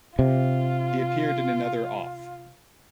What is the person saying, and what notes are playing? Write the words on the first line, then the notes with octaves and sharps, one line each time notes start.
He appeared in another Off!
C3 F4